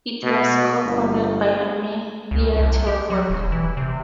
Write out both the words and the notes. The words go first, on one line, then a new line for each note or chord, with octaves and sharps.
It was cofounded by Amelia Telford.
B2
G1
C#2
C2
G4
F#3
E1
E3
C3